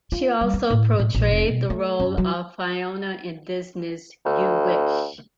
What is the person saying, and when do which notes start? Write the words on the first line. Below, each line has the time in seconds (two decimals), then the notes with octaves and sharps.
She also portrayed the role of Fiona in Disney's "You Wish!".
0.12 F4
0.41 G3
0.54 B3
0.70 A2
1.00 A2
1.15 A#1
1.31 F1
1.48 B2
1.70 A3
2.00 F#2
2.18 F#3
4.25 D2